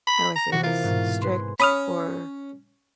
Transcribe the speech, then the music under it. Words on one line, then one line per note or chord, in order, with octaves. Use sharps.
how do I say this- strict or,
B5
A#5
C3 E3 F#4
F4 A#4
G#2 B2
G#4 B4 C6
C#4 B5 D#6 F6